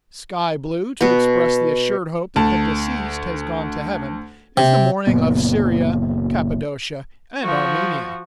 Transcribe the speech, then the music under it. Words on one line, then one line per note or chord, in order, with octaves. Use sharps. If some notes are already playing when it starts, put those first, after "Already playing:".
Sky-blue, to express the assured hope that the deceased has gone to heaven, is the mourning of Syria, Cappadocia, and Armenia.
B2 B3
D2 A5
C3
F#1 A#2 A#3 B3
F3 F#4